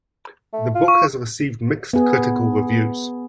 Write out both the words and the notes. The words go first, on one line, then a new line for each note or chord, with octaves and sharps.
The book has received mixed critical reviews.
A3
F4
C#6
B3 G#4